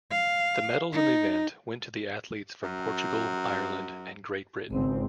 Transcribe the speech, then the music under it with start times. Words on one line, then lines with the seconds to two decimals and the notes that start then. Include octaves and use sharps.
The medals in the event went to athletes from Portugal, Ireland, and Great Britain.
0.12 F5
0.93 D#4
2.63 F#2
4.70 G#1 C#2 C4